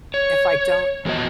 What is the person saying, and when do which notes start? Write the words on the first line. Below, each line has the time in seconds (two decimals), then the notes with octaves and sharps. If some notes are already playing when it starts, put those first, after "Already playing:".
if I don't
0.14 C#5
1.05 E2 G#3 B3 F#4 D#5